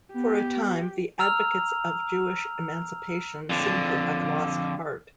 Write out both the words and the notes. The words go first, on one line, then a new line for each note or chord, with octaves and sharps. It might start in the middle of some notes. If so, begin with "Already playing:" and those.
For a time the advocates of Jewish emancipation seemed to have lost heart.
B3 G4
A#5 E6 F6 F7
F2 D3